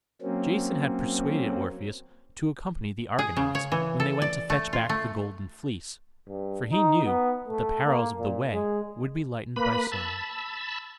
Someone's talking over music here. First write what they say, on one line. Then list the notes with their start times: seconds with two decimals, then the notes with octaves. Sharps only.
Jason had persuaded Orpheus to accompany the Argonauts when they went to fetch back the golden fleece, for he knew that the perils of the way would be lightened by song.
0.22 F#3 A#3 C4 C#4
3.19 G#4
3.37 C#3
3.55 C#5
3.72 E3
4.00 A4
4.22 D5
4.50 A3
4.73 F4
4.89 A3
6.28 G2
6.71 D#4
7.05 B3
7.47 A3
7.86 A#3
8.18 A#2
8.50 G#3
9.56 A#3 B4 B5
9.92 A5 B5 E6